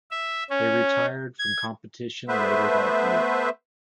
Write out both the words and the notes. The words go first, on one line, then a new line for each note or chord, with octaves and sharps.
They retired from competition later that year.
E5
C#4
G#6
A3 B3 B4 C5 E5